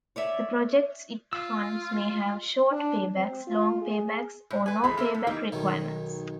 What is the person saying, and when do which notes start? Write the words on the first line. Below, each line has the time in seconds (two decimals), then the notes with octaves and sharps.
The projects it funds may have short paybacks, long paybacks, or no payback requirements.
0.16 C#5 D5 E5
1.33 F4 F5 E6
2.71 D4
3.15 C4
3.47 F4
3.82 G#4
4.50 A2
4.66 B4 G#5
4.84 E3 G#3 A3 B5
4.97 A#3 A4 E5
5.14 A2
5.27 E3 G3 A#3 D#4
5.52 B1 D#3 F#3